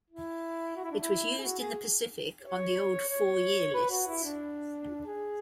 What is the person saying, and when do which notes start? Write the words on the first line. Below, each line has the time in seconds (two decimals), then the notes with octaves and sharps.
It was used in the Pacific on the old four-year lists.
0.10 E4
0.76 F#4
0.84 E4
0.91 D4
1.00 E4
1.38 G#4
1.43 F#4
1.59 G#4
2.42 C#5
3.08 C#5
3.74 B4
3.90 F#4
4.07 E4
4.24 D4
5.07 G#4